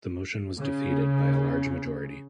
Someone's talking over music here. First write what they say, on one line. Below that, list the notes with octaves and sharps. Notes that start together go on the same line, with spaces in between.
The motion was defeated by a large majority.
C#3